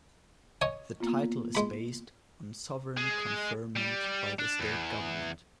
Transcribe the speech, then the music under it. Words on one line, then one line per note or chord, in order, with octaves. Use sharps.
The title is based on sovereign conferment by the state government.
C#5 D#5 G#5
A#3 B3 F4
G#3 B5
G#3
G3
D4
E2